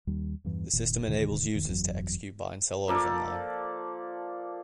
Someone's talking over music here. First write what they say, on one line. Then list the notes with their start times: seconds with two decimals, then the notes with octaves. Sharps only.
The system enables users to execute buy and sell orders online.
0.07 D#2 G3
0.44 E2 G2 E3
0.73 F1 A#2 D#3
1.06 D2 B2 D3 D#3
1.55 D1 C2 F2 D#3
1.68 G1 F2 E3 F#3
2.88 F3 A#3 A4 D5